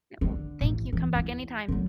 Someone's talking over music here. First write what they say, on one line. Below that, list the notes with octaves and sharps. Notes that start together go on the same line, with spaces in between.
Yep. Well, thank you. Come back anytime.
D3
A1
E3
E2
D3 F#3